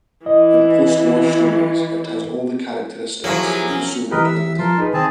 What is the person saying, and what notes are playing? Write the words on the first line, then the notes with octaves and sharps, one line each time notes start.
In post-war stories it has all the characteristics of the Soviet military.
E3 D#5
F3 F#3 A#3 E4 G#4
G4 G#5
C#4
E3 G4 A#4 B4 D#5
E5 E6
F3 A#4 A5 C6
D#4 G#4 B4
D#3 C4 G#4 A5